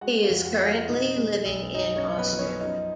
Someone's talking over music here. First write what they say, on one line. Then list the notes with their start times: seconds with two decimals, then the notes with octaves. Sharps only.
He is currently living in Australia.
0.01 G#3 F#4 F#5
0.23 F4 F5
0.30 F2
0.45 F#4 F#5
0.59 B3
0.66 F4 F5
0.88 B2 D#4 D#5
1.16 G#3
1.45 B1
1.74 F#2 D#4 D#5
1.96 C#4 C#5
2.03 F#2
2.18 B3 B4
2.32 F3
2.39 C#4 C#5
2.61 F#3 D#4 D#5